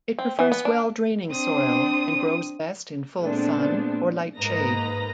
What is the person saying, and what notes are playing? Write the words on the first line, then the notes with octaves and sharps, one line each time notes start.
It prefers well-draining soil, and grows best in full sun or light shade.
C4
E3
B3
D4
C4 D4 D#6
A#2 G#3 A3 B3 C4 D4
G#2 A#3 B4 D#5 A#5 A#6